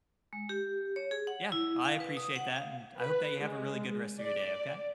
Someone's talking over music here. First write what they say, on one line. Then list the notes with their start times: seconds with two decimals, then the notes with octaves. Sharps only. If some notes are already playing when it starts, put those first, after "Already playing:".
Yeah, I appreciate that, and I hope that you have a really good rest of your day, okay?
0.33 G#3
0.49 G4
0.96 C#5
1.11 G#4
1.27 F#5
1.52 E4
1.85 F5
2.00 B4
2.17 D#6
2.36 F#5
2.56 F5
2.99 B4
3.43 G#3
4.20 D5